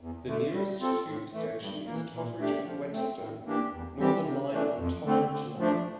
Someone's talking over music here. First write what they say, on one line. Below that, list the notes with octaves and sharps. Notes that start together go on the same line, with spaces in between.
The nearest tube station is Totteridge and Whetstone - Northern line on Totteridge Lane.
E2
D3 A3
G3
C4 F4 A4
A2
E3 A3
G2
E3 A#3
A#2
A3 D4 G4
F3
A3 C4
A2
E3 A#3 D4 G4
E2
E3 G3 C4 G4
C3
E3 A3 D4
F2
D3 A3 C4
D3
F3 A3 D4